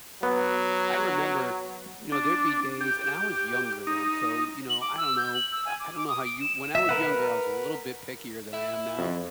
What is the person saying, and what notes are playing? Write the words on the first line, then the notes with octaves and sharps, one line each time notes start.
I remember, you know, there'd be days and I was younger then, so, you know, I don't know, uh, I don't know how you when I was younger, I was a little bit pickier than I am now,
F#3 B3
D4
G4
D#4
F#7
D6
E6
G6
F#7
E6
G#5
D6
D6
D#6
D7
E7
E5
A#4 B4 F#5
E4 E5
F2